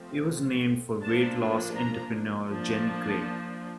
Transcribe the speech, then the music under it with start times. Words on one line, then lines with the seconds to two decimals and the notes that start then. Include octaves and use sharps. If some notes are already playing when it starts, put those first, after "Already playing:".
It was named for weight-loss entrepreneur Jenny Craig.
Already playing: F3 A3 C4
1.02 F3 A#3 D4 A5
1.76 A#5
2.49 F3 A#3 D4 A5